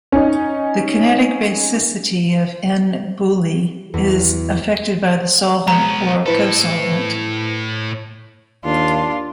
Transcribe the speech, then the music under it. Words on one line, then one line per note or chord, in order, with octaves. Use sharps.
The kinetic basicity of "n"-BuLi is affected by the solvent or cosolvent.
C#4 D#4
E2
F#3 G#3 B3 A#5
A2 E4 A4 B4 C5
D#2 D4 F4